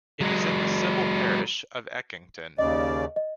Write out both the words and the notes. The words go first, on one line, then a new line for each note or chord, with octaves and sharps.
It is in the civil parish of Eckington.
F#3 G#3
D#2 C#3 D5 D#5
D#5